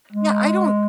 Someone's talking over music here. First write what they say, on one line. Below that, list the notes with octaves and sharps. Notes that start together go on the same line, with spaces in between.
Yeah. I don't
G#3